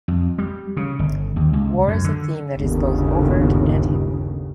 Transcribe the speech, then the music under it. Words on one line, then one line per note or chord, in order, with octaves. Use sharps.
War is a theme that is both overt and hidden.
F2
G3
C#3
G1
D#2
C#2
F#2
D3
G1 D#2 C#3